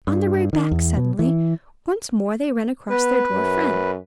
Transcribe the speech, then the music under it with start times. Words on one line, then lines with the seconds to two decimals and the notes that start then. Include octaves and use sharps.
On their way back, suddenly, once more they ran across their dwarf friend.
0.07 G2
0.53 D#3
0.71 E2
0.97 B2
1.19 E3
2.90 B3 B4
3.33 F#2